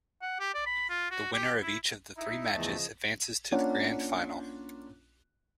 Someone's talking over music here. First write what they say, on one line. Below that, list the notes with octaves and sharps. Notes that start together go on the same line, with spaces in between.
The winner of each of the three matches advances to the Grand Final.
F#5
G4
D5
B5
F4
F#4
G4
E4
D#4 E4 E5
E2 C#3 F3 A3 D#5 A5
A#3 C#4 D4 F4 C#5 F#5